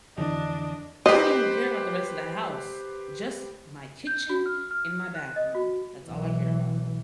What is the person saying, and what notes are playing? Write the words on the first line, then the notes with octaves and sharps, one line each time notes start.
I don't even w care about the rest of the house, just my kitchen and my bathroom. That's all I care about.
F2 D3 E3 D4 D#5
G4 B4 C5 D#5
G6
F#4
F6
F6
F#6
D#5
F#4
B1 E3